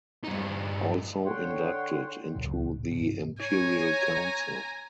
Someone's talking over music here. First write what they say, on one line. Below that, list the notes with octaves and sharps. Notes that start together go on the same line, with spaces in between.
Also inducted into the Imperial Council.
G2 D#4
D3 C#5 F#5 G5 C6
C#2 A#2 C#3 F#3
D1
G#2 C3 F3
C#5 G#5 A#5